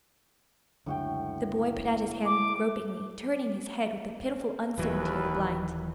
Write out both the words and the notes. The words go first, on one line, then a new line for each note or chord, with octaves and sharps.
The boy put out his hand gropingly, turning his head with the pitiful uncertainty of the blind.
C#2 F#2 A2 D3 F#4 G5
A5 D6
D#1 D#2 E3 F#3 B4